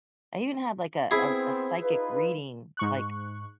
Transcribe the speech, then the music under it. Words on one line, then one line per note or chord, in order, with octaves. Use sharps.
I even had, like, a a r a psychic reading, like,
B3 C4 E4 G#4
D#4 F4 B4
G#2 C#6 F#6